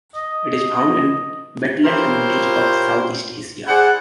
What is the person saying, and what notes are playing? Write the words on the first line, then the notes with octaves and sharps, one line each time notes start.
It is found in wetland communities of Southeast Asia.
D#5
E4 F4 G4 A#4 C5 C#5
E4 G#4 C5 D5 F#5